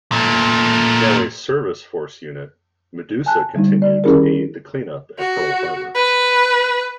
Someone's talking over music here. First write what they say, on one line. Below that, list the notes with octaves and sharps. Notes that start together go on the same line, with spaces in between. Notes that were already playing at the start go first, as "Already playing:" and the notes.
Now a Service Force unit, "Medusa" continued to aid the clean-up at Pearl Harbor.
A#2 A3
G#5 A5 F#6
D3 G3 A3 D#4
D5
D#3 C#4 E4 G4 G#4 A#4
F#4
B4